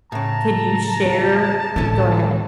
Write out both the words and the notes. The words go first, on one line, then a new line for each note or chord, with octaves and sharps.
Can you share Go ahead.
A2 C#3 A5 A#5
A2 D3 G#3 A3 C#4